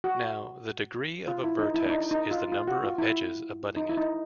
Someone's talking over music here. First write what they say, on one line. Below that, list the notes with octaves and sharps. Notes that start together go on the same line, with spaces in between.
Now, the "degree" of a vertex is the number of edges abutting it.
F#4
F4
E4
D#4
E4
D4
D#4
D#4
F4
F4
F#4
F4
E4
D#4
E4
D#4